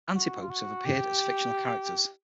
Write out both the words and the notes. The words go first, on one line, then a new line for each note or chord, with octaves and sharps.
Antipopes have appeared as fictional characters.
F#4
F4
F#4
G4